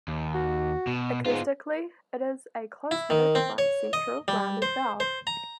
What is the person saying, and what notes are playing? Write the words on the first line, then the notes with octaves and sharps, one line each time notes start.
Acoustically, it is a close-mid front-central rounded vowel.
D#2
F#4
B2
G#2 B3 F4
E4
D#3
C4
C#5
D#5
G3
C5
C5
A#5